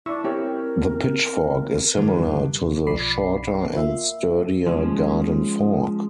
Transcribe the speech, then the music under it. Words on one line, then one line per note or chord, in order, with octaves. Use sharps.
The pitchfork is similar to the shorter and sturdier garden fork.
D4 E4 C#6 E6
C4 E4 G4 A#4 C#5
G2 D#3 F3
B1 F3 D5 B5 C7
A#3 F4 E5
F3 G#3 C#4